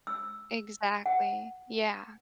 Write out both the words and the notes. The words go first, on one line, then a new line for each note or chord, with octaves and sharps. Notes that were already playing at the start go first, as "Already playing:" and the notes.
Exactly. Yeah.
E6
F#5